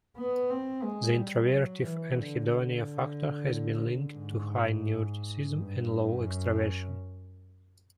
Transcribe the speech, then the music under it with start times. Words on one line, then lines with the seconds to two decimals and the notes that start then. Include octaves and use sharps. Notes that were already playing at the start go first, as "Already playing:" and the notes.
The introvertive anhedonia factor has been linked to high neuroticism and low extraversion.
0.16 B3
0.50 C4
0.83 G#3
1.17 G3
1.50 F#3
1.83 E3
2.16 D3
2.50 D3
4.16 G#2
5.49 G2
6.15 F#2